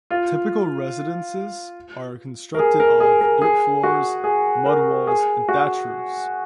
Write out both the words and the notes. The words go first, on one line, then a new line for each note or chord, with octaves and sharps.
Typical residences are constructed of dirt floors, mud walls, and thatch roofs.
F4
A#4
G#4
A#4
G#4
A#4
G#4
F#4
G#4
A#4
G#4
F#4